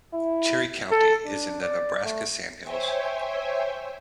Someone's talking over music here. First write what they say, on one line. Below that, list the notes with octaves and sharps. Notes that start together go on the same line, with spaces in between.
Cherry County is in the Nebraska Sandhills.
E4
A4
D4
D5
A3
C5 C#5 E5 G5 G#5